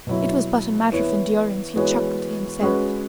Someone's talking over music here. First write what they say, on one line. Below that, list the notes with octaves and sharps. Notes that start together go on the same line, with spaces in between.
It was but a matter of endurance, he chuckled to himself.
B2 F#3 E4
E3 B3 E4 C#5
E3 G#3 B3 F#4 C#5
G#3 C#4 F#4 B4